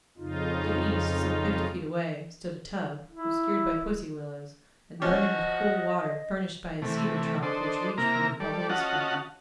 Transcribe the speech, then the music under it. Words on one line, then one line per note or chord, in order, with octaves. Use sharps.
To the east, some fifty feet away, stood a tub, obscured by pussy willows, and brimming with cool water furnished by a cedar trough which reached from the bubbling spring.
F2 C#3 D#4 F4
E4
F3 C#4 F#4 D#5
C3 E3 A3
D4 A4 C5 D#5
C3 A#3 E4 A#4 A#5 F6
G3 A4 D5
C#4 F4 F#4 D#5 F#5 A5